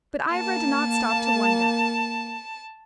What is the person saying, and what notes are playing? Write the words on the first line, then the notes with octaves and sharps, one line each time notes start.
But Ivra did not stop to wonder.
A#3 A5